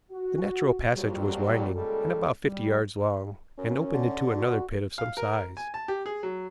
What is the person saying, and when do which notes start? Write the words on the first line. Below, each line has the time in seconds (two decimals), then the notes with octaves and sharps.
The natural passage was winding, and about fifty yards long, and opened into another pit of some size.
0.11 F#4
0.93 F2 A#2 F#3 G3
1.75 A#2 C#3 G3 G#3 A4
2.44 G3
3.58 F#2 C#4
3.94 D3
4.35 F#4
4.98 F5
5.17 A#4
5.57 G#5
5.74 A5
5.88 G4
6.06 G#4
6.23 F#3